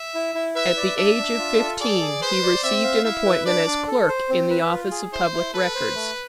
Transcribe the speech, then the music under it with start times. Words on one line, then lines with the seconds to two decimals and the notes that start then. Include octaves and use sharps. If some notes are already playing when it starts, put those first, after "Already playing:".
At the age of fifteen he received an appointment as clerk in the office of Public Records.
Already playing: E5
0.15 E4
0.35 E4
0.55 B4 E5
0.77 D5
0.97 D4 E5
1.18 D4
1.38 F4
1.59 A4
1.80 G#4 D5
2.01 G#4
2.21 B4 C5
2.43 D5
2.63 C4 E5
2.84 F5
3.04 E4 E5
3.26 B4
3.46 D4 D5
3.67 D4
3.88 A4
4.08 C5
4.29 C4
4.50 B4
4.71 F4
4.91 G#4
5.12 E4 C5
5.33 E4
5.54 A4 B4
5.74 C5
5.95 A3